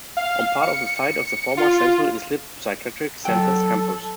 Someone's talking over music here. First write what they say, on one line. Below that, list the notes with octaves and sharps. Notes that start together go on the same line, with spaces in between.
On part of the site of the former Central Islip Psychiatric Center's campus.
F5
C#7
F4
F#3 A4 F#5 G5